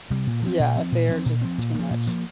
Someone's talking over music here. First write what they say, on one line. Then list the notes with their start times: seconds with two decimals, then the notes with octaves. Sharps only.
Yeah. They're just too much.
0.10 C3 G3
0.27 A#2
0.42 F3 C4
0.60 A#2
0.76 F3 C4
0.92 A#2
1.09 F3 C4
1.26 A#2
1.41 F3 C4
1.58 A#2
1.75 F3 A#3
1.91 A#2
2.07 F3 A#3